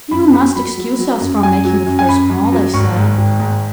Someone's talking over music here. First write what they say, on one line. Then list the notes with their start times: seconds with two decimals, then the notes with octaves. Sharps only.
"You must excuse us from making the first call," they said.
0.11 F#2 B5
0.33 F#3 B5
0.56 F#3 B5
0.77 F#3
0.99 F#3
1.20 F#2
1.43 F#2 G#5
1.65 F#3
1.87 F#2
1.99 G#5
2.08 F#2 B5
2.30 F#2
2.52 F#3
2.74 G#1 C#6
2.96 G#2
3.17 G#1
3.40 G#2